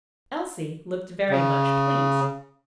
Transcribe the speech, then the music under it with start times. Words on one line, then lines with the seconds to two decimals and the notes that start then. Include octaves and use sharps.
Elsie looked very much pleased.
1.30 C#3